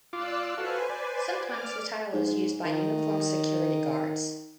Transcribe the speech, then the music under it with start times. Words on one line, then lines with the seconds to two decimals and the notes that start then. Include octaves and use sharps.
Sometimes the title is used by uniformed security guards.
0.13 F4 D5 D6 E6 F#6
0.57 F#4 A4 B4 C5 F5 G#5
0.90 D5
1.47 D6 F6
2.13 G#2
2.65 D#3